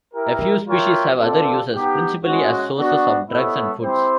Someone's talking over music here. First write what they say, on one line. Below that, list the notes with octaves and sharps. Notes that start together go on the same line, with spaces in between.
A few species have other uses, principally as sources of drugs and foods.
E4 G4 A#4
F4 A#4 C#5 E5 G5
C4 F4 A4 D5
B3 D#4 G4
G#3 C#4 F#4
B3 D4 F#4
B3 E4 A4 C#5 E5
C4 E4 G4 C5